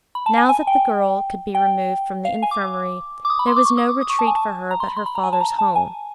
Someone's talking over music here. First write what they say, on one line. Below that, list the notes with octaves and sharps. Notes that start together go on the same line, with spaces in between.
Now that the girl could be removed from the infirmary, there was no retreat for her but her father's home.
B5
A5
G#5
G#5
G5
G5
F5
G#5
D6
D6
D#6
B5
C6
D6
C#6
D#6
D6
D#6
C#6
A5
G#5
A5
A#5
C6
B5
C6
B5
A#5
G#5
A5
A#5
A5
G#5